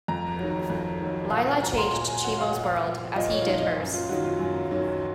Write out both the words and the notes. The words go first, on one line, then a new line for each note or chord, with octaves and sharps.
Lila changed Chimo's world, as he did hers.
F2 A#5
D#3 F#3
F2
D#3 F#3
A#2 F5
F#5
G#5
F#3 A#5
C6
A#2 A#5
G#5
F#3 F#5
F5
A#2 F#5
F5
F3
A#2 D#5
C#5
F4
F3 D#4
D#4
F#2
F4
D#3 F#3 F#4
F4
F#2
D#3 F#3